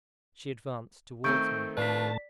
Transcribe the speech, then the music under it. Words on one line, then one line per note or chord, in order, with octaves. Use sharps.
She advanced towards me.
D#3 A3 C4 C#6 G6 D7
A2 D4 F4 B4 D5 A5 B6